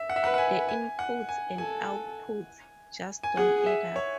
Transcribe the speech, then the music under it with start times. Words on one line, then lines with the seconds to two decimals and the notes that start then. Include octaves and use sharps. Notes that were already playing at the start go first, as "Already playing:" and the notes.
The inputs and outputs just don't add up.
Already playing: E5
0.10 F#5
0.16 E5
0.23 B4 F#5
0.34 F#5
0.38 G#5
0.69 G#5
0.99 F#5
1.29 G#5
1.58 A4 G#5
3.23 G#5
3.36 G#4 F#5
3.66 E5
3.96 C#5